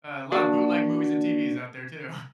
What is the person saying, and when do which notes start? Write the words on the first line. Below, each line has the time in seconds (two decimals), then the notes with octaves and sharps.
a lotta bootleg movies and TVs out there too.
0.32 A#3 D4 F#4